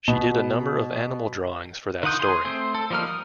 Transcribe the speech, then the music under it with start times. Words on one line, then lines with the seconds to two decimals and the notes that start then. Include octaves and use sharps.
She did a number of animal drawings for that story.
0.08 B2
2.03 D#3 F4 F#5 D#6 G6
2.19 G#4 C6
2.44 A3 C4 C5
2.75 A4
2.90 F3 G3 A#3 D#4 F6
3.07 D#6